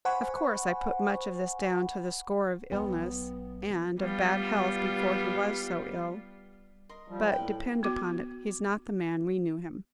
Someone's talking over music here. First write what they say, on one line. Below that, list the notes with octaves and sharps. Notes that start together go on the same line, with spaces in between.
Of course I put much of this down to the score of illness, and of bad health before he was so ill; but, depend upon it, he's not the man we knew him.
C5 F#5 G#5 B5 C#6
B1 B3 B4 G5
G3 B3 F4
A#4 D#5 C6
F3 G3
A2 A#4 B4 G5
B3 F#4